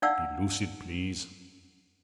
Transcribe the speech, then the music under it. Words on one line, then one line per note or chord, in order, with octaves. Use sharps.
"Be lucid, please."
D4 D#4 D5 F5 F#5 E6